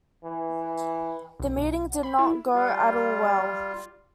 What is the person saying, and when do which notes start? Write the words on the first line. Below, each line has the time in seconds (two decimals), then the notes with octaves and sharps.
The meeting did not go at all well.
0.24 E3
1.40 B1
1.57 B1
2.03 B5
2.19 E4
2.55 G3 F4